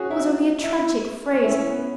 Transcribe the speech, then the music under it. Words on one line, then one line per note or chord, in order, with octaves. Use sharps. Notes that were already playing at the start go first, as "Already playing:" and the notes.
That was only a tragic phrase....
Already playing: C#4 F#4 G#4
E4
E4
C#4
E4
C#4
B3